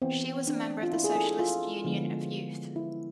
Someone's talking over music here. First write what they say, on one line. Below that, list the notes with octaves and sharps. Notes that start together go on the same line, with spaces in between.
She was a member of the Socialist Union of Youth.
E3 B3 C4
D4
F4
E4
G#4
A4
G#4
F4
D3 F3 G#3 B3
E4